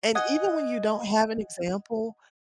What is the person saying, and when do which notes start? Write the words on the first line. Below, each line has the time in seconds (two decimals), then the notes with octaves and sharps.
And even when you don't have an example
0.15 D#5 F#5 G#5